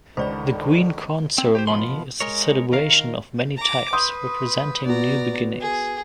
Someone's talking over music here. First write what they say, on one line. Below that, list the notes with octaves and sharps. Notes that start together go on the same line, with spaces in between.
The Green Corn Ceremony is a celebration of many types, representing new beginnings.
C#2 D3 D#3 C5 D5 B5
C4
G4 B4 C5
B2 F3 B5 C6
G#3 A#4 C#5
D#3 A#4 F5
A#5 D6
B4 C6 D#6 G6
B3 F#4 D5 A#5
G#4